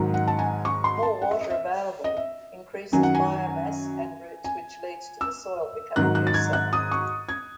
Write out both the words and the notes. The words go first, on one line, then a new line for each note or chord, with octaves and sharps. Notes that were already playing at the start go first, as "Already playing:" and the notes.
More water available increases biomass and roots which leads to the soil becoming looser.
Already playing: G#2 D#3 F#3
F#5
A5
G#5
C#6
C6
A5
F#5
E5
D#5
E5
D#5
E5
F#2 D#3 F#3 G#5
F#5
G#5
G#5
E6
G#2 D#3 F#3 F#6
F#6
A6
G#6
F#6
D#6
C#6
G#6